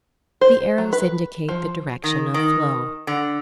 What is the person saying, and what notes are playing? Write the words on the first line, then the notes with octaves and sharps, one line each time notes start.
The arrows indicate the direction of flow.
C5
F#3
B4
F3
D#3
D#3
D3